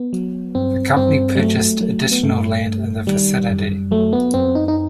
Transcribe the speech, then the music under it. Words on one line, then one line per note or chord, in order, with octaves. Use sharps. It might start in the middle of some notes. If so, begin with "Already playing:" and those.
The company purchased additional land in the vicinity.
Already playing: B3
F#3
G2 C4
G2 C4
G3
F#3 A3
F#3
B3
G2 A3
G2
D#3 G3
F#2
F#3 A3
B3
F#2 C4
D#4
D#4